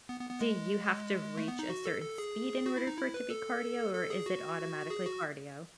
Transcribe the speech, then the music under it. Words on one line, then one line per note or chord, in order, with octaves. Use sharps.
do you have to reach a certain speed in order for it to be cardio, or is it automatically cardio?
B3
B3
B3
G#3
A3
B3
D#4
F#4
A4
A4
G#4
F#4
E4
D#4
E4
B4
A4
A4
G#4
F#4
G#4
F#4